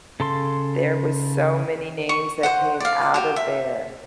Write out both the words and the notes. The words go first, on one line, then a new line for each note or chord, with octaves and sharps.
There was so many names that came outta there.
C#3 A4 C6
C#6
C5 D#5 F#5
D5 F5
F#4 G4
E5